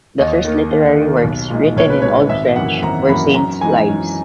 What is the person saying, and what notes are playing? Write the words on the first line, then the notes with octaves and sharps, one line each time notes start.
The first literary works written in Old French were saints' lives.
D#2 D#5
D#3 A#3
D#2
D#3 A#3
B1
A#2 G#3 D#4
B1 C#5
B4
A#2 G#3 D#4 C#5
G#1 E5
F#2 E3 A#3 F#5
G#1 A#5
F#2 E3 A#3 B5
F#2 A#5
E3 G#3 D#4 G#5
F#2